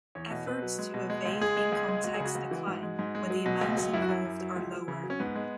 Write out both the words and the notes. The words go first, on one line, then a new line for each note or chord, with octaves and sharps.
Efforts to evade income tax decline when the amounts involved are lower.
E2 C#5
B2
B2 B4
F#3
G#3
B2
G#3
C#2
G#3 G#4
G#3
C#2
G#3
C#2 F#4
G#4
C#3 F#4
C#2
E3
G#2
G#3
G#2
G#3
F#3
B2
C#2
F#3
F#2 E4
F#4
F#2 E4
F#2
F#3
C#2
F#3
C#3
F#3
C#4
G#2 B3
G#3